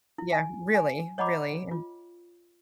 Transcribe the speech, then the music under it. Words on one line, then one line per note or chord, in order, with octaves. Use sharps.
Yeah, really really, and
E4
G#5
G#5
C#5 D#5 F#5 A#5 B5 D6
F4